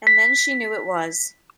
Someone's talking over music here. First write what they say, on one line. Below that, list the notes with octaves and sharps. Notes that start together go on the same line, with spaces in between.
And then she knew it was.
B6